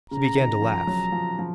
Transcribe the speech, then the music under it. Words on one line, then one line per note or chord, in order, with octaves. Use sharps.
He began to laugh.
C#3 A#5
D#3
F3
F#3
F3
F3